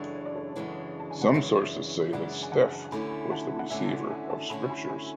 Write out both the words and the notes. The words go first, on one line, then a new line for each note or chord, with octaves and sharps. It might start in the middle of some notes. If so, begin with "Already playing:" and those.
Some sources say that Seth was the receiver of scriptures.
Already playing: F#2 C#3 E3 G#3 D4 A4 C#5
C#5
D5
A4 C#5
F#2 C#3 E3 G#3 D4
A5
G#5
F#5
F#2 C#3 E3 G#3 D4 C#5 E5
F#2 C#3 E3 G#3 D4 D5 F#5
G#5
F#5 A5
D3 A3 C#4 E4 G#5 B5
F#5 A5
F#5
D3 A3 C#4 E4 E5 G#5
A5
E5 G#5
E5 G#5
F#5 A5
D3 A3 C#4 E4 G#5 B5
G#5 B5
E5 G#5